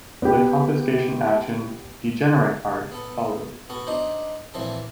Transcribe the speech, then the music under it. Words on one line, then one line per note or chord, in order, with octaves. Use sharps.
The confiscation action "Degenerate Art" followed.
B3 G4
B3 A4
B3 F#4 A4
D4 D#4 C5
A#2 E3 F3 C4 A4